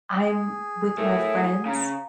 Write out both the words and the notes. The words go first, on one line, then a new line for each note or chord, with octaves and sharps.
I'm with my friends.
G#4
A3 E4 A4 A#4
C#3 F5 A#5